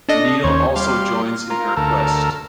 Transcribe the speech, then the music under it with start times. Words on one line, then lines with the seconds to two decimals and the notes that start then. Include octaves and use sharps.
Neel also joins in her quest.
0.09 D4 A4 D#5
0.44 D#2 C#4 C5 C#5
0.76 G3 F5 C6
1.50 F4 A#4
1.77 D2 A4 A#4